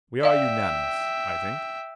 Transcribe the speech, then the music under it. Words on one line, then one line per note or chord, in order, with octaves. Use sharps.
We are unanimous, I think.
D5 E5 F5 G5